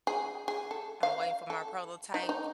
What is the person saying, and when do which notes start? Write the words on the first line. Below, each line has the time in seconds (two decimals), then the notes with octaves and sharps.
I'm waiting for my prototype.
0.07 G#4
0.48 G#4
0.71 A4
1.03 F5
1.50 A4
2.14 D#4
2.29 D#4